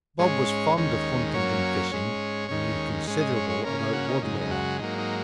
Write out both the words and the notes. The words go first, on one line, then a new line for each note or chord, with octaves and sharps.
Bob was fond of hunting and fishing and knew considerable about wood-lore.
G#2 G#3 C#4 C#5
D#2 D#3 G#3 C#4
F#2 F#3 A#3 C#4 C#5
G#2 G#3 C#4
D#2 D#3 G#3 C#4
G#2 G#3 C#4
D#5
C#5
C#5
C#3 A#3 C#4 A#4
G#4
F#4
D#4
F#2 C#3 G#3 D#4
D#4
F#4
G#2 F#3 A#3 D#4
D#4